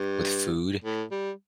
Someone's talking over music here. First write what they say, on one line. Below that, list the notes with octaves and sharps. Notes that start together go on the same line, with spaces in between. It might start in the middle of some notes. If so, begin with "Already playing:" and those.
with food,
Already playing: G2
A2
G3